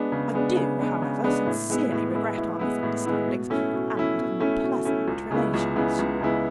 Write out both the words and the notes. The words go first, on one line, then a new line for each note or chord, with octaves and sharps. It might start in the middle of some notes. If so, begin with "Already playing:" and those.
I do, however, sincerely regret our misunderstandings and unpleasant relations.
Already playing: G#3 B3 D4
C#3
G#3 B3 D4
C#3
G#3 B3 D4
C#3
G#3 B3 D4
A2
G#3 B3 E4
A2
G#3 B3 E4
A2
G#3 B3 E4
A2
G#3 B3 E4
B2
A3 C#4 E4
B2
A3 C#4 E4
B2
A3 C#4 E4
B2
A3 C#4 E4
C#2
C#3 G#3 B3 E4
C#2
C#3 G#3 B3 E4
C#2
C#3 G#3 B3 E4